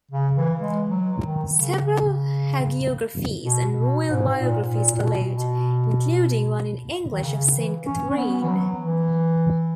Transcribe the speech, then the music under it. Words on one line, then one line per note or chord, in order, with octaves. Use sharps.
Several hagiographies and royal biographies followed, including one in English of Saint Katharine.
C#3
E3
G#3
F#3
D#3
C#3
B2
B2
G#2
A#2
A#2
A#2
B2
B2
D#3
C#3
E3
C#4
C#4
B3
E3
F#3
E3